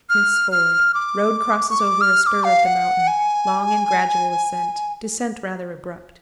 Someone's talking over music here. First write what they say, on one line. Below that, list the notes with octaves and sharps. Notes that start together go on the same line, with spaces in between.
Smith's Ford.--Road crosses over a spur of the mountain; long and gradual ascent; descent rather abrupt.
F6
F6
D6
C#6
D6
F6
F6
D6
F5
F#5
G#5